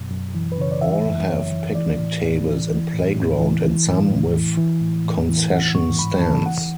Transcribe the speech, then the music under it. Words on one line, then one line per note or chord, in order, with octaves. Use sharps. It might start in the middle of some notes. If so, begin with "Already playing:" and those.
All have picnic tables and playground and some, with concession stands.
Already playing: F#2 B2
F#2
E3
B4
C#3 C#5
D5
E3 E5
F#2
F#2 C#5
E3
E3 D5
A2
A2
E3
E3
A2
A2
E3
E3
A2
A2
E3
E3
A2
A2
E3
E3 F#5
G#2 C#6
G#2 B5
E3 A5
E3 F#5